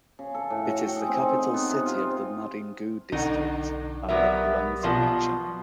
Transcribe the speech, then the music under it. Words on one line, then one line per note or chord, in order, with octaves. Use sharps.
It is the capital city of the Madingou District and the Bouenza Region.
C#3
A4
A2
F#4
G5
G#4
C4
D#4
F#5
B3
C3
F4
B1 D3 D#4 F#5
F#3 G3 B3 A#4 E5
B2 F3 F#3 C6